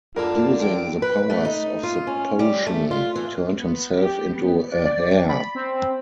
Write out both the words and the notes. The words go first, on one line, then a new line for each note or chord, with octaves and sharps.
Using the powers of the potion he turned himself into a hare.
F#2 D3 A#3 E4 F4 A#4 A5
F2 D#3 D7
B4
A3
D#4
F4
C#4
G3
A3
F4
E3
B3
G4
B3
D5
B5
C4